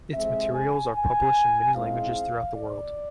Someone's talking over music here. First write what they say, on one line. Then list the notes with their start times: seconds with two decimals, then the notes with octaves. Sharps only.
Its materials are published in many languages throughout the world.
0.12 F2 C3 G#3 C4 E5
0.53 G#5
0.93 G#5
1.74 G#2 G#3 C4 E4 F5
2.55 D5